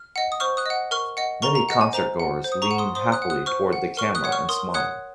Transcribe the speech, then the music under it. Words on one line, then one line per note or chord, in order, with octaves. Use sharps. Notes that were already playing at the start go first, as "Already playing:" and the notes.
Many concertgoers lean happily toward the camera and smile.
Already playing: F6
D#5 F#5
D#6
C5 C#6 F6
D#6 F#6
D#5 F#5
A#4 C#6 F6
D#5 F#5
A#4 A#5 C#6
A#5
D#5 F#5
G#5
C5 A#5
F#5
C5
D#6
A#5 C#6
F#5
C6 D#6
C5 C6 D#6
D#6 F#6
F#5
D#6 F#6
C5 C#6 F6
F#5
A#4 C#6 F6
D#6 F#6
C#5 F#5
C#6 F6
A#4 C6 D#6
C#5 F#5 D#6 F#6